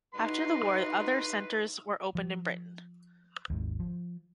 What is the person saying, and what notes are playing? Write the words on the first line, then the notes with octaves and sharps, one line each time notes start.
After the war other centres were opened in Britain.
D#4 E4 F#4 B4 C6
F3
G#1 D#2
F3